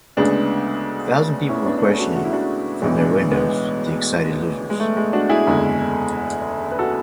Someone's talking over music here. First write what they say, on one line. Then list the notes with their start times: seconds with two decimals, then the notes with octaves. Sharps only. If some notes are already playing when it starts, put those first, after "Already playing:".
A thousand people were questioning, from their windows, the excited losers.
0.17 D2 C#3 G#3 B3 D4
1.49 C#4 E4
1.66 B3 D4
1.78 D4
1.82 A3 C#4
1.99 D4 F#4
2.15 F#4
2.24 E4
2.33 D4 F#4
2.82 B1 A2 E3 G#3 B3 D4
2.98 B3 D4
3.31 G#3 B3
4.70 G#3
4.80 A3
4.97 G#3
5.13 D4 F#4
5.29 E4 G#4
5.46 F#1 E2 D3 G#3
6.72 B4
6.79 F#4 A4